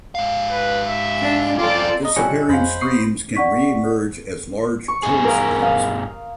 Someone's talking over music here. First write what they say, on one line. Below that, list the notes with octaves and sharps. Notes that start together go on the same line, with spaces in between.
Disappearing streams can re-emerge as large cold springs.
G#2 F5
B4
E5
D4
F#2 C4 F4 A4 D5 D6
F#3 D#5
A#2 G3 G#3 C#4 F#4 A4 C#7
F2 G#4 C5 F5 B5
C#6 D#6 C7
D5 F#5 C#6 B6
C#6
G2 B2 G#4
A#4 F5
F5 D#6